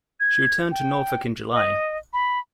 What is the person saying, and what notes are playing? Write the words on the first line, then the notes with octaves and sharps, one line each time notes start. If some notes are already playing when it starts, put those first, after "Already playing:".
She returned to Norfolk in July.
G#6
G5
D#5
B5